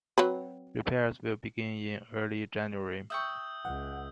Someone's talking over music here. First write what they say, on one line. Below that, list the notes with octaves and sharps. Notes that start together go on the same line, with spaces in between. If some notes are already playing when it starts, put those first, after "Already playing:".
Repairs will begin in early January.
F#3 C4 B4
E5 G5 C#6 D#6 E6 G6
C#2 F#5